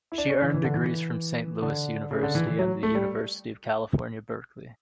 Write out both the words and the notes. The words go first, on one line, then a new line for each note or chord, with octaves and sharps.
She earned degrees from Saint Louis University and the University of California, Berkeley.
E4
D4
C#4
E3
E3
D3
E3
D3
C#3
D3
E3
E3
F#3
A3
G3